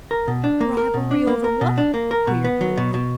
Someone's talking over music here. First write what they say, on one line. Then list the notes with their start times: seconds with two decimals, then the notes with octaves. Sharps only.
"Rivalry over what?" queried Ruth.
0.11 A#4
0.28 B2
0.44 D4
0.61 A#3
0.77 A#4
0.94 B2
1.11 D4
1.27 A#3
1.44 A#4
1.61 B2
1.78 D4
1.94 A#3
2.11 A#4
2.27 B2
2.44 B3
2.61 F#3
2.77 B2
2.94 B2